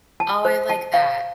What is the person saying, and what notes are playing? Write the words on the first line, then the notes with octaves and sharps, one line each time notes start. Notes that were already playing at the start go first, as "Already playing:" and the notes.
Oh, I like that.
A5
C5
A5
F5